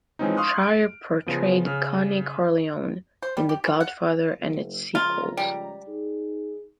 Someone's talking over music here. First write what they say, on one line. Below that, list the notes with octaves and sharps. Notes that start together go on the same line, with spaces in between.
Shire portrayed Connie Corleone in "The Godfather" and its sequels.
E3 F3 G#3 C4 C#4 D#4
F5 C6 C#6 D#6 F6 F#6
D7
C#3 F3 B3
C#3 F6
C5
G3
G4
E3
F#5
F#1
C#2 F3 F4 A#5
G3
D#4 G#4